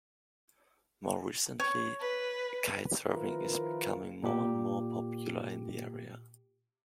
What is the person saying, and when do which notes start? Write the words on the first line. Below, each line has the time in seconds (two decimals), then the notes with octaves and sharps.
More recently kitesurfing is becoming more and more popular in the area.
1.60 C#5 C#6
2.00 B4
3.08 D#3 F3 E4 F4 A#4 B4
4.23 A#2 G4